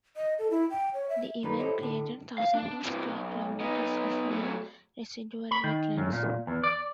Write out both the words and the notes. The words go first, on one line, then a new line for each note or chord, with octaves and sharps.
The event created thousands of square kilometres of new residual wetlands.
D#5
A4
E4
G5
C#5
E5
F#2 D#3 G3 A3 B4 A#5
E4 G4 A4 C5 C#5 D#5
A2 D3 D4
F5
D4
C3 E3
B1
B3 D#4
F#3 A3
B5
D#3
F#2
A#2
E2
D5